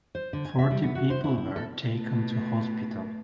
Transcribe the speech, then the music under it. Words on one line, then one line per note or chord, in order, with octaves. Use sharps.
Forty people were taken to hospital.
C5
D3
G#5
E5
G3
B3
F#4
C5
E4
E4
A4
B2 A3